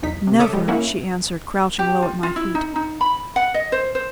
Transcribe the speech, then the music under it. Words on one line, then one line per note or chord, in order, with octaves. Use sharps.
"Never!" she answered, crouching low at my feet.
B1 E2 D#4 B6
C3
D3 A4 C#5 E5 D6 D#6
G3 G#3 G4
A#3 C#4 E4 E5 F#5
G4
F4
F4
E4
D#4
D#4
B5
F#5
D#5
C5
C5